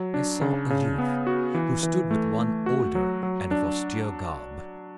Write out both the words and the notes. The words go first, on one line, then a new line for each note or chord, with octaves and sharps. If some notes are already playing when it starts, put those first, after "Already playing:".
I saw a youth who stood with one older and of austere garb.
Already playing: F#3
D4
C#3
C#3
B3
F#4
E3
E3
A3
A3
F#4
F#3
F#3
D4